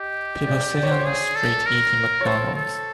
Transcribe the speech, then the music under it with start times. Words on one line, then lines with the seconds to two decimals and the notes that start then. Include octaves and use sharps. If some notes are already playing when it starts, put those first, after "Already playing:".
People sitting on the street eating McDonalds.
Already playing: G4 D#5
0.47 D5
0.77 D5
0.83 C#5
0.91 C5
0.99 C#5
1.06 G#4
1.35 A4
1.66 A#4
2.21 C#5
2.25 A4 C5
2.55 A4